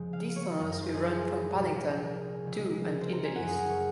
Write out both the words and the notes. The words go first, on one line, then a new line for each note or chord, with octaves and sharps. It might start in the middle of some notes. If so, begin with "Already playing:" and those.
These tunnels will run from Paddington to and in the east.
Already playing: F1 F2 C#3 F3 G#3 C4
F5
C#5
F#1 F#2 F3
A#4
C5
G#4
A#4
C2 A#2 F3 A#3 C#4
A#4
G#4
C#2 C#3 F3 G#3 C#4
A#4
C5
A#5
G#5
F#1 F#2 C#3 F#5
G#4
A#4
C#5